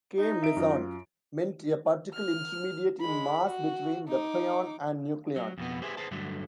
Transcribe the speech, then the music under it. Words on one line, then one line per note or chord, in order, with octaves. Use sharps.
"K meson" meant a particle intermediate in mass between the pion and nucleon.
D#4
E5 D7
F#2 F4
F6
G#3 B5
F#4
D#4 D6
F#3
F2 B2 B3
G4 G#4 B4 C5 E5 G#5
G#4 B4 C5 A5
G2 D3 F#3 A3